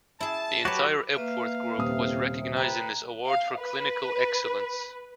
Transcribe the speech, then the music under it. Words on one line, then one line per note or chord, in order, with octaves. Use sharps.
The entire Epworth group was recognised in this award for clinical excellence.
E4 G#4 A5
F#3 F#4 G4 B4 C#5
A#3 B4 E5 F5
D#1 C3 D#6
B4 G5 A#5
F5
B4